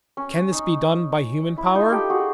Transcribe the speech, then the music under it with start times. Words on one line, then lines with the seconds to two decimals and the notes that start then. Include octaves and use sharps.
Can this be done by human power?
0.17 C#4
0.52 D#4
1.58 E4
1.75 D#4 F4
1.92 G4 A4
2.10 F#4 G#4